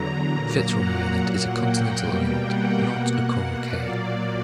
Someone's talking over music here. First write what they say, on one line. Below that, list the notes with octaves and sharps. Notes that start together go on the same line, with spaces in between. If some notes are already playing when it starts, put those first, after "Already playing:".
Fitzroy Island is a continental island, not a coral cay.
Already playing: E2 D3 F#3 A#5
A#2 F#3 A#3
F#5
A#2 F#3 A#3
G5
B2 G3 A#3 G5
F#5
B2 A#3
A#2 F#3 A#3 D5